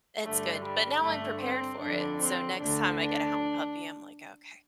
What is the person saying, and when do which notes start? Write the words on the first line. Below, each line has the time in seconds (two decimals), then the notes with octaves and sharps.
it's good. But now I'm prepared for it, so next time I get a hound puppy, I'm like, "Okay,
0.24 G2 D3 A3
0.65 G3
1.03 G2 D3 A3
1.42 C4
1.81 F2 D3 D4
2.21 C4
2.59 D2 D3 D4
2.99 D4